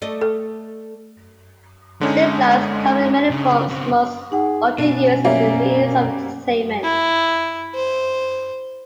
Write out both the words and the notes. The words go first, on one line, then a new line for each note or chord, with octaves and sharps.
Zip-lines come in many forms, most often used as a means of entertainment.
A3 D5 D#5
A4
D3 G#3 C#4 D#4
C#3
C#3 C4
D#4 G#4 F#5
B2 C#4 D4
F#3 G3 A#3 C#5 E5
E4
C5